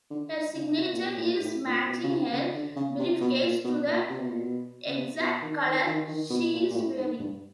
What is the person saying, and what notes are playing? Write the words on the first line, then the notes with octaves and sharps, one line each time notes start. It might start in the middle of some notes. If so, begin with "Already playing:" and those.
Her signature is matching her briefcase to the exact color she is wearing.
D3
C#3
C3
A#2
B2
A2
A#2
G#2
A2
A#2
A#2
B2
C#3
C3
C#3
D3
C#3
C3
B2
A#2
B2
A#2
C3
B2
A#2
B2
C#3
C3
B2
D#3
D#3
D#3
D#3
B2
A#2
A#2
A2
G#2
G2